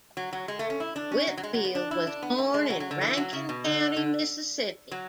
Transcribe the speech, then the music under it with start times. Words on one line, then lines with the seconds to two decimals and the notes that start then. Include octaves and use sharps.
Whitfield was born in Rankin County, Mississippi.
0.17 F#3
0.33 F#3
0.48 G#3
0.59 A3
0.70 C#4
0.80 E4
0.96 D4
1.12 C#4
1.27 F#3
1.38 F#3
1.43 G#3
1.54 F#3
1.64 B3
1.75 D4
1.91 E4
2.07 D4
2.22 B3
2.38 A3
2.54 G#3
2.70 F#3
2.80 F#3
2.91 D3
3.01 E3
3.17 F#3
3.33 C#3
3.49 B2
3.65 D3
3.96 D3
4.92 F#3